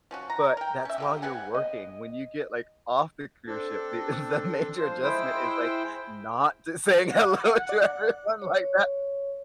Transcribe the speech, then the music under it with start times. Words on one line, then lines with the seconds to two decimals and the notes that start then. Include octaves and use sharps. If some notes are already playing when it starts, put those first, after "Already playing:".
but that's while you're working. When you get, like, off the cruise ship the the major adjustment is, like, not just saying hello to everyone like that.
0.11 F3 C#4 F#4
0.30 A#5
0.57 A#4 G5
0.85 C#4 E5
0.98 D3 A#3 G4
1.22 B3 G4 F#5 G#5
1.55 D#5
3.47 C4 D4 A4
4.78 F3 C5
5.03 G#3 E4 C5 G5
7.10 F#5
7.69 D5
8.42 C#5